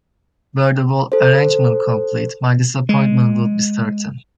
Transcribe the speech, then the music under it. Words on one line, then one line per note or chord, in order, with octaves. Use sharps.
Were the whole arrangement complete, my disappointment would be certain.
A4 C5
G#3